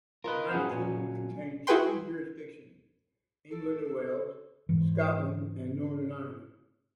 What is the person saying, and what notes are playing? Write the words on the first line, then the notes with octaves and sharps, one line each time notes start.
The United Kingdom contains three jurisdictions: England and Wales; Scotland; and Northern Ireland.
F4 A#4 B4 C#5 D#5
F#3 C#4 F4 G#4 B4 F#5
A#2 G#5
E4 F#4 G#4 B4 G5 C6
A4
A4
G#2 E3